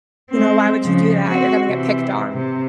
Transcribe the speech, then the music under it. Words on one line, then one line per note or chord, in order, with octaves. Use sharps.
"You know, why would you do that? You're gonna get picked on."
G#3 C4
C#3 F3
C4 F#4
C3 E3
C3